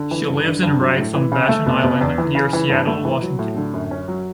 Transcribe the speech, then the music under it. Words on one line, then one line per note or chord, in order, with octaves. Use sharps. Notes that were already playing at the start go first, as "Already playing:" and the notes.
She lives and writes on Vashon Island near Seattle, Washington.
Already playing: D3
E3
G2
D3
G2
F#3
A2
E3
C#3
A3
B2
B2
E2
E3
C#3
E3
G2
A3
E3
F#3
A2
D3
F#2
C#4
F#3